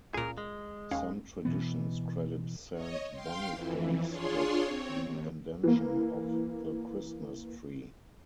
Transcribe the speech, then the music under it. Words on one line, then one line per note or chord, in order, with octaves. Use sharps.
Some traditions credit Saint Boniface with the invention of the Christmas tree.
C#2 A#2 G#4 A#4
G#3
D#2 C#4 F5
B2 E3 B3
C#5 D#5
F5 G5 C6
F2 E3
D4 F4 G#4 C#5 C6
C4 C#5
D#2
E3 A#3